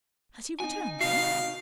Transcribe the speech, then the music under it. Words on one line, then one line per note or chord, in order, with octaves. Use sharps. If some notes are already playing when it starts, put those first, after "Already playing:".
"Has he returned then--?"
D#4 G#5
C3 F#4 F5 C7